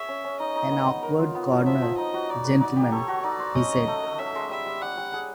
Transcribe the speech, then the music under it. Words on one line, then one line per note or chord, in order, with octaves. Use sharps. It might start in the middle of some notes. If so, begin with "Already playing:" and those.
"An awkward corner, gentlemen," he said.
Already playing: G#4 C#5 E5
C#4
C#4
D#4 D#5
D#4
B3
B3
A#4
F4
B3
F#3
F3 E5
F3
D#4 D#5
F#4
D#4 D5
B4
D#4 D5
G4
A4 C#5
F#4
D#4 D5
C5
C#4 D#5
C#5
A3
A3
C#4 E5
G#3
G3 E5
G3
G3 F#5
G3
G#4